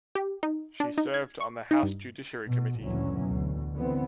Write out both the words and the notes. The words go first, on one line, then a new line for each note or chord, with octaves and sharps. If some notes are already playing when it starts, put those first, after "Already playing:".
She served on the House Judiciary Committee.
G4
D#4
D4
D#4
G#6
C#6
D#4
G2
B2
F#1 D2 A#2 E3 F#3 C#4
D2 B2
D3 E3 B3 C4